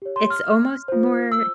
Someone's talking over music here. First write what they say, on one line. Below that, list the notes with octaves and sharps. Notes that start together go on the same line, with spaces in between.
it's almost more
G4 C#5
C6
F6
F4 C5
E6